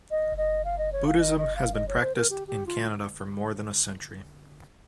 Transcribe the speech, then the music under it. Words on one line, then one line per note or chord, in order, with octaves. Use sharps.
Buddhism has been practised in Canada for more than a century.
D#5
D#5
F5
D#5
C#5
F5
D#5
D#5
F5
D#5
C#5
C5
A#4
G4
G4
F4